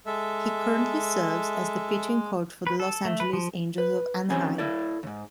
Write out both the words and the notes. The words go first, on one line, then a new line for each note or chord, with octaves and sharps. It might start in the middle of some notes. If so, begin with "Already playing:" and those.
He currently serves as the pitching coach for the Los Angeles Angels of Anaheim.
G#3 A4 E5
B4
A4
A3
B4
F3
B4
F3 C4 C#4 G4 G#5 B5
E4 A4 D5
D#2 G#2